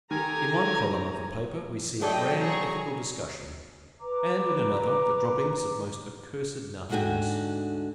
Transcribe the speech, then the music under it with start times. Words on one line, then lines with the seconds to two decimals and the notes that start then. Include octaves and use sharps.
In one column of a paper we see a grand ethical discussion, and in another the droppings of most accursed nastiness.
0.11 D#3 G4 A4 G#5 A#5
2.02 F#3 A3 A4 D5 D#5 G5
2.39 G#4 A#5 C#6
4.00 B4 A#5 D6
6.89 D2 G#2 D3 F#4 G5 G#5